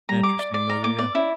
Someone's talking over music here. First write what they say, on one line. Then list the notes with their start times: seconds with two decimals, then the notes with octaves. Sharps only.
Interesting movie, yeah.
0.09 G3 A#5
0.23 D6
0.39 D5
0.54 D5
0.69 A#5
0.84 A#3 D6
0.99 B3 D5
1.14 C#4 E4